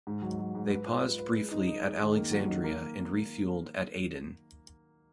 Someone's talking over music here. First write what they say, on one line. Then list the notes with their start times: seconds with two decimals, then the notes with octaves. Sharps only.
They paused briefly at Alexandria and refuelled at Aden.
0.07 G#2
0.22 F#3
0.39 F#3
0.55 G#2
0.71 B4
0.87 F4
1.03 B4
1.19 B4
1.35 G#3
1.51 D#4
1.67 D#4
1.84 G#3
1.99 D#3
2.16 A#3
2.31 F#3
2.48 D#3
2.64 A#3